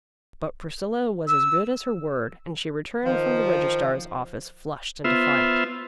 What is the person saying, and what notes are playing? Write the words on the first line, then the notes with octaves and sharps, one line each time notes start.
But Priscilla was as good as her word, and she returned from the registrar's office flushed and defiant.
E6
D#3 F3
B3 F4 C5 E5